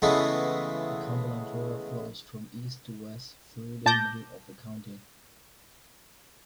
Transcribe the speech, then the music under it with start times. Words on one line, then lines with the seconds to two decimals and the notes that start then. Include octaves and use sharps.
The Cumberland River flows from east to west through the middle of the county.
0.02 C#3 E3 G#3 A3 B3
3.86 A#2 A5 D6 G6 A#6